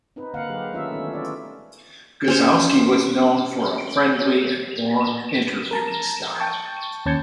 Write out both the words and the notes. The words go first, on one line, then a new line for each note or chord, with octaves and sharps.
Gzowski was known for a friendly and warm interviewing style.
C4 D#4 B4
D3 A#3 C4 B4 F5 F#5
F#3 G4 G#4 B4
D#3 A3 C#4 F4 A4 E5
D#3 E3 G#3 B3 C#4
F4 D5 E5
C#4 C5 C#5
A#4 A5 A#5
G5 A5 C#6
D#2 C#4 A5 G6 G#6 C#7